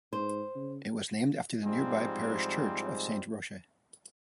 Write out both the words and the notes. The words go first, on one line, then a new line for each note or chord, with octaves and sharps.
It was named after the nearby parish church of Saint Roche.
G#2 C5
C#3
G#2 F3 G3 G#3 C4